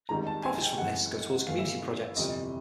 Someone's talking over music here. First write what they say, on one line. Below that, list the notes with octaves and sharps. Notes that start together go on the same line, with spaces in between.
Profits from this go towards community projects.
G#1 G#2 D#3 G3 A#5
A5
G#5
G5
G#1 F#2 C#3 E3 F#5
G1 G2 E3 A3 F5
E5
F5
G1 F2 C3 E3 G3 D#5